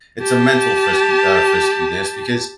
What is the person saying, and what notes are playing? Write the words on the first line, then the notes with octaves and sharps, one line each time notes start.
it's a mental frisky uh, friskiness because
G4 A5